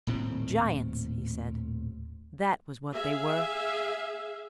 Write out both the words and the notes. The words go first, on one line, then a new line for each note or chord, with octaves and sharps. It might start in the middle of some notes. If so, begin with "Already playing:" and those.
Giants! he said, that was what they were.
D#1 A2 C4
G#4 E5 F5